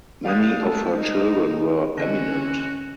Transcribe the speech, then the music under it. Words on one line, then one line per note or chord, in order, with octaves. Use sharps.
Many of her children were eminent.
G3 G#3 F5
A4
D#4
D3 E3 C4 C#4 F#4 A4 D#5